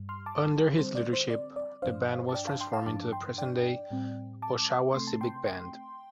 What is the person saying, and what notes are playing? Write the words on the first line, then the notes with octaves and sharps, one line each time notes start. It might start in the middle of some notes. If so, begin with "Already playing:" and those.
Under his leadership, the band was transformed into the present-day Oshawa Civic Band.
Already playing: G2 G3
C6 F6
A5 D6
D3 G3 C4 C5
D5
C5
D5
D5
G2 F3 D4 C5 F5
A5
D5 G5
F5 A5
G5 C6
F5 A5
G2 F3 D4 A5 D6
G5 C6
D5 G5
A2 G3 C4
A5 D6
C3 A3 C4 C6
A5
G5 C6
G5 C6